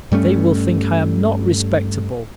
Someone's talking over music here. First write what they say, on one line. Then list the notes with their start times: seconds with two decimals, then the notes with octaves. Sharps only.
They will think I am not respectable.
0.12 G2 G3 A3 C#4